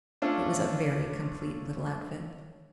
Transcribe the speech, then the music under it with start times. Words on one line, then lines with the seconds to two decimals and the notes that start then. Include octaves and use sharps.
It was a very complete little outfit.
0.22 A3 C#4 D4 F4